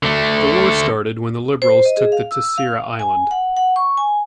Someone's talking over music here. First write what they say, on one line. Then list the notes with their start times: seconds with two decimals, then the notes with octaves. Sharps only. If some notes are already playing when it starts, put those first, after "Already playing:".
The War started when the Liberals took the Terceira island.
0.03 D3 A3
1.62 C5
1.85 D#5
1.97 G#4
2.12 F5
2.31 E6
2.58 F5
2.99 G#5
3.31 F#5
3.57 F#5
3.76 C#6
3.98 G#5